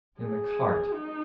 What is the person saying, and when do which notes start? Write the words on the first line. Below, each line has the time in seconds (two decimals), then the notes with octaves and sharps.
In the cart.
0.19 G#4
0.93 D#4